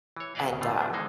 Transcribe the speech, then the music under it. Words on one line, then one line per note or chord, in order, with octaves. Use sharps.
and, um,
E3 C#5
B3 D4 E4 D5 D#5 F5
D2 C#3
A2 D3 A3 F4
B3 D4
D3 E3 G#3 D#4 C5